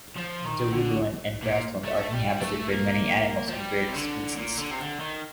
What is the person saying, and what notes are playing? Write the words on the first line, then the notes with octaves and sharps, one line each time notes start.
The woodland and grassland are inhabited by many animal and bird species.
F3
D#3
D3
A#2
A3
G3
A3
A#3
F3
G3
C3
D3
A#2
D3
C3
D3
D#3